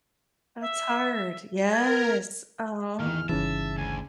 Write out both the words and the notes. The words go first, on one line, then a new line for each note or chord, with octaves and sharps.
That's hard. Yes. Aw.
E5
A#4 G#6
A1 E2 D#3 F6
G1 C#3 E3 C#4 D#4 E5 A5
D2 G#5